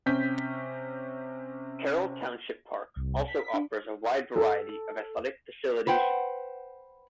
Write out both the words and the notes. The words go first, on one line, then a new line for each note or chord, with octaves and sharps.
Carroll Township Park also offers a wide variety of athletic facilities.
C3 C4 C#4 G6 B6
C2
B6
D4
A4
B4 C5 F#5 G5